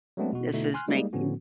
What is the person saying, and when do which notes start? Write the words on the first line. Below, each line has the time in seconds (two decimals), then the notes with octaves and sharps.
this is making
0.17 F#3 G#3 A3 B3 C4 D4
0.33 B2 F#4
0.53 B2 D3 A3 B3 D#4 E4
0.74 G#5 C6 F6 F#6
0.88 G3 G#3 A#3 D#4 G#4
1.13 A2 D3 F3 B3 C#4 F#4